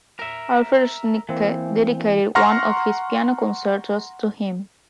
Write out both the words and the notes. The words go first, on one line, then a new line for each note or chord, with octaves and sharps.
Alfred Schnittke dedicated one of his piano concertos to him.
A#4 E5
E3 A#3 C4
F#5 A#5 C6 C#6 F6 A#6